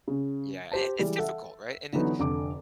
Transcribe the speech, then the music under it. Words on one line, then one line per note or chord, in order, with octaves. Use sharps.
Yeah, and it it's difficult, right? And it
C#3
G4 C5 A5
E3 G3 G#3
A4 E5 F#5
D3 E3 F#3 B3 D#4
F1 D3 D4 D6